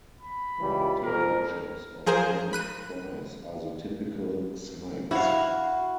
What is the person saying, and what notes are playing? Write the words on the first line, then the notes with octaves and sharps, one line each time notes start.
Potato chips or French fries are the typical sides.
B5
C#2 E3 G3
F2 A#4
F3 G#4 A#4 C5
B5 F#6 D#7
E4 F#4 F5